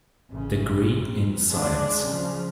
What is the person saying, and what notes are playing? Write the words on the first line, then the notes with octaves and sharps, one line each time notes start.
Degree in Science.
A1 C#3
F2
G#3 D4
C#3 F3